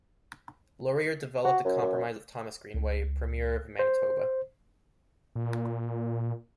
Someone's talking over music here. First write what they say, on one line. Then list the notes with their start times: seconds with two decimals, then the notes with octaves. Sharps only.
Laurier developed a compromise with Thomas Greenway, Premier of Manitoba.
1.44 F#4
1.65 F#2
1.82 F#2
2.74 C#2
3.79 C5
5.35 A#2